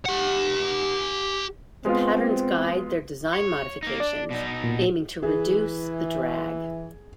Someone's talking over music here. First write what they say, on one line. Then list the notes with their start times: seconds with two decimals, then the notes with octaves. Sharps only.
The patterns guide their design modifications, aiming to reduce the drag.
0.06 G4 F#5
1.85 G#3 B3 C4 F4
3.34 C#5
3.83 A#3 D#4
4.00 D4 D5
4.31 B2 D#4
4.64 A#2
5.22 E3 G#4